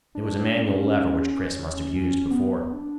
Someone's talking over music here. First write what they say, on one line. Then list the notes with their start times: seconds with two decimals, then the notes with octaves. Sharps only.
There was a manual lever, which Chris must have used before.
0.15 D4
0.58 C#4
0.66 D4
0.75 C#4
2.31 B3
2.73 D4